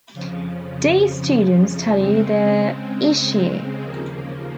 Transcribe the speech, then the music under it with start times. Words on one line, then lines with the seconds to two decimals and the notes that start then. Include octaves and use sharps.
D. students study there each year.
0.13 F2 C#3 F3
1.98 C#3 G#3 C4
3.82 D#2 C#3 F3 A#3